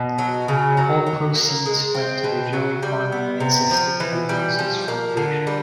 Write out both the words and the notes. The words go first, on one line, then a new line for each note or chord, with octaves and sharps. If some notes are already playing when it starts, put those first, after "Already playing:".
All proceeds went to the Joey Fund and Cystic Fibrosis Foundation.
Already playing: B2
F#3
C#3
F#3
F#3
A#3
G#3
C4
B2
F#3
G3
B3
C3
F3
E3
G3
F3
A#3
D3
G3